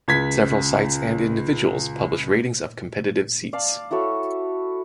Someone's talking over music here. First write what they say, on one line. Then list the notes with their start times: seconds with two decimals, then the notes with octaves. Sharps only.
Several sites and individuals publish ratings of competitive seats.
0.08 C#2 G#6 B6
3.53 D5 F5 A5
3.91 E4 F#4 A4 C#5